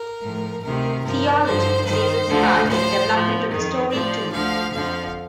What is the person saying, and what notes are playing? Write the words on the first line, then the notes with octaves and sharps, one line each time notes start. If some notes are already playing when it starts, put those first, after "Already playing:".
Theology plays its part in the development of the story too.
Already playing: A#4
A2 F3
D2 C3 D#3 A#4
G2 F3 A#4
G2 D3 F3 C5
G2 D#3 C5
D2 D3 F3
A2 F3 C5
A2
F3
F2 D#3
A2 F3 D5
D2 D3 F3 F5
F2 D3 F3 F5